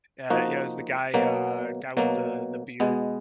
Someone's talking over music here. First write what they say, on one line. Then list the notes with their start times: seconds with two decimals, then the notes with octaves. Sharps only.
Uh, yeah, it was the guy, uh, guy with the the beard.
0.30 F3 A#3 D#4 F#4
1.14 B2 F#3 A#3
1.97 B2 F#3 A#3
2.80 B2 G#3 B3